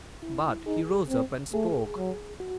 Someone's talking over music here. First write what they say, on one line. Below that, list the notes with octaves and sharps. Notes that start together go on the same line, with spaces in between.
But he rose up and spoke.
E4
D#4 G#4
C4
A3 G#4
F#3
F#4